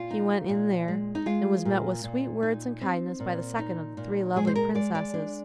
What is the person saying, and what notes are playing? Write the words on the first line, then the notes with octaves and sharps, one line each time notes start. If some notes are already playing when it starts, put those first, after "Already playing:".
He went in there, and was met with sweet words and kindness by the second of the three lovely princesses.
Already playing: A#2 F4
D#4
A#2
G#3
D#4
G#3 F4
A#2
A#2
D#4
C4
A#2
D#4
A#2
G#3 G#4
C5
A#4
G#3 D5
D5
D4